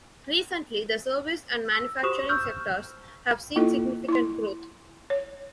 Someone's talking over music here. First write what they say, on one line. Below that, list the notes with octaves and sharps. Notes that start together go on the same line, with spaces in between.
Recently, the service and manufacturing sectors have seen significant growth.
E6 A#6
F#4 G4 C5 C#6 D#6 E7
C#6 E6 F6 G6
A#3 E4 F4 A4 D#5
E4 C6
C#5